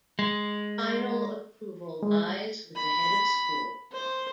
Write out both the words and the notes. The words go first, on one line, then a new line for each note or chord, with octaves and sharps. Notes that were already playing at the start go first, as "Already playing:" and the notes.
Final approval lies with the Head of School.
G#3
G#3
B5
C5